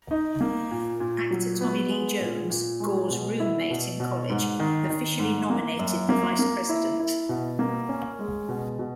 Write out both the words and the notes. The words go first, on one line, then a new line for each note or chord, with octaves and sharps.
Actor Tommy Lee Jones, Gore's roommate in college, officially nominated the Vice President.
D#4
A#3
A#2
A#2
F#3
B3
G#3
A#2
A#2
G#3
B2
E4
B2
B2
G#2
D#3
D#3
G#2
A#3
F#2
A#3
A#3
E4
E4
B2
A#3
C#4
G#3
B2
B2